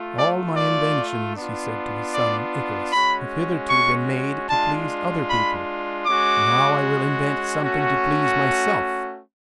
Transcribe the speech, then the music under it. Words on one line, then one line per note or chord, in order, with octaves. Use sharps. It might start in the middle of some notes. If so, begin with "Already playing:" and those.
"All my inventions," he said to his son Icarus, "have hitherto been made to please other people; now I will invent something to please myself."
Already playing: A3 F4
D5
D5
B3 D4 F4
D5
G#3 C#4 F#4 B5
C#6
G#3 D4 F4 A5
B5
G#3 C#4 F#4 D6
A3 C#4 F#4